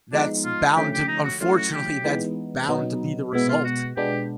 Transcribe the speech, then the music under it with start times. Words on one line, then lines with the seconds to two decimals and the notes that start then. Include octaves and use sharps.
that's bound to unfortunately, that's bound to be the result.
0.13 F3 G#3 B3 D4 D#4
0.45 F4
0.76 D3 F3 A3 C#4 G4
0.93 G4
1.08 D#4
1.24 F#4
1.41 F#3 A3 C#4 E4 F4
1.56 F#4
1.72 G4
2.04 E3 G#3 B3 D#4
2.68 B2 F#3 B3 D#4
3.33 B2 G#3 B3 E4
3.49 F4
3.64 F#4
3.97 B2 G#3 B3 D4 G4